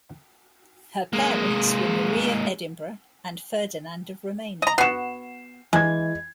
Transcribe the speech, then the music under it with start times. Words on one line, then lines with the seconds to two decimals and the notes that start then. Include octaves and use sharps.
Her parents were Marie of Edinburgh and Ferdinand of Romania.
1.13 G#3 A#3
4.62 D#5 A#5
4.78 B3 F#4 C7 E7
5.73 E3 G#3 G#6